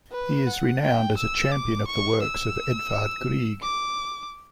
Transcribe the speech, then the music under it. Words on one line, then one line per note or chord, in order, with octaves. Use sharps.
He is renowned as a champion of the works of Edvard Grieg.
B4
F#5
G5
E6
D6
C#6
E6
D6